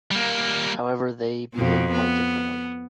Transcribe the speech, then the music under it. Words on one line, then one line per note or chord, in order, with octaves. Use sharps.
However, they behave quite differently.
G3 A#3
F2 B2
B3